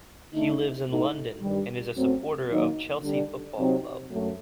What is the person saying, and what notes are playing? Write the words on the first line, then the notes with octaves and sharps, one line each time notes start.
He lives in London and is a supporter of Chelsea Football Club.
D3 A3 D#4
A2 A3 D#4
G2 D#3 G3
F#2 F#3 A3 C4
D#3 F#3 A#3 D#4
D3 G3 D4
C3 F#3 C4 D#4
F#2 F#3 A3